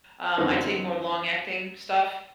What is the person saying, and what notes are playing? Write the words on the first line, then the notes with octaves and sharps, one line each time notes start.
um, I take more long-acting stuff,
F#2 D3 E3 B3 C4 D#4